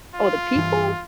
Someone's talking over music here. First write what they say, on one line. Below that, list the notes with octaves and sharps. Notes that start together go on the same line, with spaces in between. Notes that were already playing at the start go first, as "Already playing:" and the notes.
Oh, the people?
F4
G2 E3